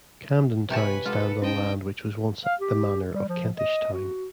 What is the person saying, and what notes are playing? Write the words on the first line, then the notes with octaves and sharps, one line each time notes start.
Camden Town stands on land which was once the manor of Kentish Town.
C3 G4 B4 C#5 G#5 A5 B5
G#3 F4 A4 F#5 D6
C#4 D#4 C5 D#5 G5 A5
F5
G4
G3
F3
D#5
F#4